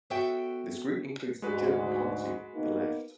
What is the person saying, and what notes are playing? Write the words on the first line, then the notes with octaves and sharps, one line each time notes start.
This group includes the German party The Left.
B3 F#4 A4 C#5 E5 G5
D2 G#2 G#3 F#4 B4
A#3 B3 D#4